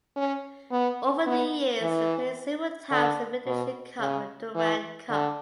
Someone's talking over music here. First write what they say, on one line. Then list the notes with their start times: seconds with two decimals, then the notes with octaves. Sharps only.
Over the years they played several times in the Federation Cup and Durand Cup.
0.16 C#4
0.71 B3
1.27 B3
1.82 E3
2.91 D3
3.46 B2
4.00 C#3
4.55 E3
5.10 D3